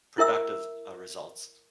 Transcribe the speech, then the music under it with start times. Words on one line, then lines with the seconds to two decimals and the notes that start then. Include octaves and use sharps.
productive, uh, results.
0.18 E4 A#4 E5 E6